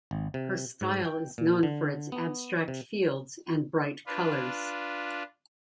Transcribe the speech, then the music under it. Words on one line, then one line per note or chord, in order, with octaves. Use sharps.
Her style is known for its abstract fields and bright colors.
G#1
C3
G#2
G5
A#2
D3
B3
C3
D4 F4 B4